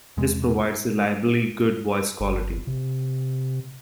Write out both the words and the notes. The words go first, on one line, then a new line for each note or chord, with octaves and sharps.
This provides reliably good voice quality.
E2 C3 G#3
G1
C3